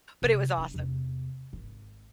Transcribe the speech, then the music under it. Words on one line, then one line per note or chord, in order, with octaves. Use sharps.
but it was awesome.
C3
F#3 D4
E2 C3
G#1